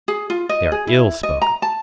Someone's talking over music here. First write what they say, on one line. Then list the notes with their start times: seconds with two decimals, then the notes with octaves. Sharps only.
They are ill spoken.
0.08 G#4
0.30 F4
0.49 D#5
0.72 G#4
0.87 E4
1.23 D#5
1.42 A#5
1.62 A5